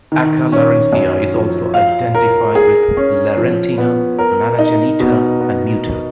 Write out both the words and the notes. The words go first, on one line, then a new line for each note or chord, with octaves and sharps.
Acca Larentia is also identified with Larentina, Mana Genita, and Muta.
D#3
C#4
F#2
F3
F5
A#4
G#4
C#4
F3
B3
A#4
D#4
B2
B3